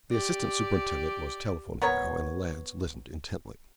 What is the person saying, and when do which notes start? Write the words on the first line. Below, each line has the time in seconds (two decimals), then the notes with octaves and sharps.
The assistant superintendent was telephoning now, and the lads listened intently.
0.11 G4 D5
1.82 B3 A#4 C#5